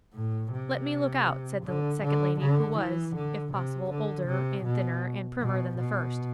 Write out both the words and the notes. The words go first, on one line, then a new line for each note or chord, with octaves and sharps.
'Let me look out,' said the second lady, who was, if possible, older and thinner and primmer than the first.
A2
C3
D3
D3
D3
E3
D3
C3
D3
C3
B2
B2
B2